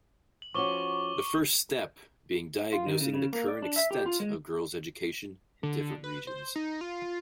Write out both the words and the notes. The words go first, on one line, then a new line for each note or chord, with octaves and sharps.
The first step being diagnosing the current extent of girls' education in different regions.
F#7
F3 C#4 F#4 C#6 D6 G7
F4
D#3
C#3
C#3
A#3
D5
D4
E5
G4
F4
G#3
D3
B4
C5
D#4
F4